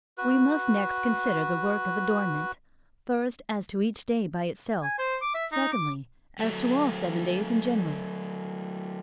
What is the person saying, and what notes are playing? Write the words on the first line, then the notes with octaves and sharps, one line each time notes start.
We must next consider the work of adornment, first as to each day by itself, secondly as to all seven days in general.
F#4 B4
G#5
C5
D6
E5
D#4
D6
F#3 A3